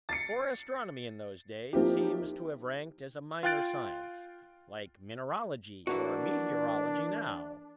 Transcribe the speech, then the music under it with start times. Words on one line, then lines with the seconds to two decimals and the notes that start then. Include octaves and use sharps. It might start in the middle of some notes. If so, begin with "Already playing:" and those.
For astronomy in those days seems to have ranked as a minor science, like mineralogy or meteorology now.
0.09 A6 C7 C#7
1.73 F3 A#3 C4 D#4 E4 G4
3.43 F4 F5 G5 F#6 A6 D7
5.87 E3 A#3 D4 F#4